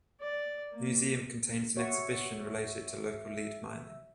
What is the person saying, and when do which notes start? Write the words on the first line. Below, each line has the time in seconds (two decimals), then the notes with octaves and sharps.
The museum contains an exhibition related to local lead mining.
0.21 D5
0.72 A#3
1.77 F#4 C#5 E5